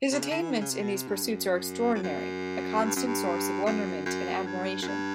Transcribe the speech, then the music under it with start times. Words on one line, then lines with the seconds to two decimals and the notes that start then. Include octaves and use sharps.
His attainments in these pursuits are extraordinary; a constant source of wonderment and admiration.
0.11 C3
0.21 C#3
0.31 D3
0.41 E3
0.51 D#3
0.61 C#3
0.71 C3
0.82 B2
0.94 C3
1.08 G2
1.22 F#2
1.95 F2
2.03 F#2
2.84 G2
2.96 F#2
3.06 G2
3.66 F#2
4.06 F#2
4.46 G2
4.82 F#2
4.87 G2